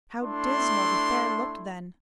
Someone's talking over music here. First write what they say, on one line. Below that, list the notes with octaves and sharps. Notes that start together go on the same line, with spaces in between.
How dismal the fair looked then!
A3 D4 E4 C6